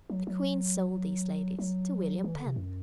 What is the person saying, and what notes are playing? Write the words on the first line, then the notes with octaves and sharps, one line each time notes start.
The queen sold these ladies to William Penn.
F#3
F#3
F#3
E3
D3
C3
F#2